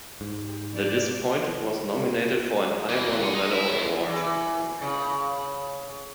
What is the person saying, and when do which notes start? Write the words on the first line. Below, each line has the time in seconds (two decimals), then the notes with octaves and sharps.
"The Disappointed" was nominated for an Ivor Novello award.
0.21 G#2
0.76 D5
2.89 D#2 E3
3.23 F#5 G#5
3.35 D#4
3.50 E4
3.71 F#2
4.09 E3
4.81 C#3